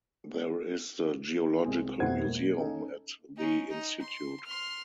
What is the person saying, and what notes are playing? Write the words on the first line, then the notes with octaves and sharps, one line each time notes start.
There is the Geological Museum at the Institute.
C2 G#3 C4 G#4
F2 B2 A3 C5 F#5 G#6
E1 A#3
C#4 D#4 A4
C#4 D#4
D#4
C6
C6 F6